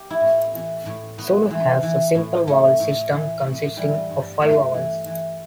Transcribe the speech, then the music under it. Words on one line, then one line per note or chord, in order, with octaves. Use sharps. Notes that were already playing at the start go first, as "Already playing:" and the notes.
Zulu has a simple vowel system consisting of five vowels.
Already playing: G4
E4
A2
E3
A2
A2 B3
E3
E3
A2
A2 A3
A2
E3
A2
E3 G3
G2
G2 A3
E3
E3